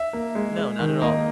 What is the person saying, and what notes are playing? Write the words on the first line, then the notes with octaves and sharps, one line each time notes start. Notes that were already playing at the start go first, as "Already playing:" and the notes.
No. Not at all.
Already playing: E5
A#3
G#3
G#3
D#3
A#3 D#5